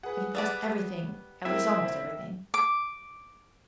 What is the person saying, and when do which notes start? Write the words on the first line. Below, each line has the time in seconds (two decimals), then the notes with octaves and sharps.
I confessed everything--at least, almost everything.
0.03 G#4 B4 F#5
0.35 G3 B3 D5
1.45 C4 E4 A#4 E5 G5
2.54 D6